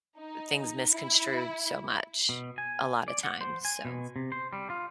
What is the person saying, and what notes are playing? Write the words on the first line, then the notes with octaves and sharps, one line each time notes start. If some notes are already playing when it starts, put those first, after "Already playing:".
things misconstrued so much, a lot of times, so
D#4
E4
B2
G#5
D5
F#5
C5
G#5
B2
C3
C5
G3
F4